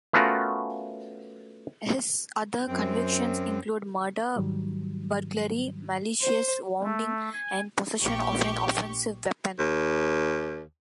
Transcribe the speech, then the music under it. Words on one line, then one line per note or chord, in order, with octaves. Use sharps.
His other convictions include murder, burglary, malicious wounding and possession of an offensive weapon.
A3 B3 C#4 F4 F#4 A#4
F#2 C4
G#2 D#3 F#3 G3
C5
A3
G#5
A#1 G4 C#6
D#2